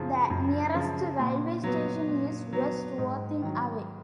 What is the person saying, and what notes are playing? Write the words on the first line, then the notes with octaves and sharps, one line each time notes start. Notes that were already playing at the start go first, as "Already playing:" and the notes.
The nearest railway station is West Worthing, away.
Already playing: F#2 C#3 F3
F#2
C#3 F3
A#2
F#3 B3
A#2
F#3 B3
G#2
D#3 F#3